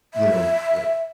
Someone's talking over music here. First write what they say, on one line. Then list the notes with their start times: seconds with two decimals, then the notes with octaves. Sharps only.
you know, uh,
0.14 E5